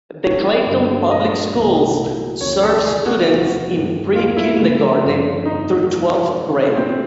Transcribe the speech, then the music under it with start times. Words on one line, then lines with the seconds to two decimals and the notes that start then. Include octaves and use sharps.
The Clayton Public Schools serve students in pre-kindergarten through twelfth grade.
0.24 E3 G#3 C#4 F#4 C#5
0.67 G2 D3 F#3 A3 C4
1.10 A#2 F#3 A#3 D4 D#5
1.54 C2 C3 E3 A3
1.97 A#2 F#3 B3 E4
2.41 D2 C3 F3 A#3 C#4 C#5
2.63 A4
2.85 C#3 E3 G3 G#4
3.05 F#4
3.28 E2 C3 F3
3.71 G2 D#3 G#3 B3
4.15 D#2 D#3 F#3 A3 F4
4.37 E4
4.58 C#3 F3 A3
5.01 G2 D3 F3
5.45 F2 D3 F3 A#3 D#4
5.89 C3 F3 G#3
6.32 C3 D#3 G#3 C4 D#4
6.75 A#2 F#3 A#3 C4 D4 F#4